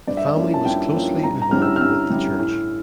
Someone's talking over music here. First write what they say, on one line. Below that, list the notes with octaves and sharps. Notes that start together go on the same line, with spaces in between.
The family was closely involved with the church.
G2 D5
E5
D5
F3 A#3 C#4 E4
A5
G2 G5
F3 A#3 C#4 E4
G2 A#5
A#5
D3 G3 C#4 E4 F6
E6
F6
G2 E6
D3 G3 C#4 E4
A2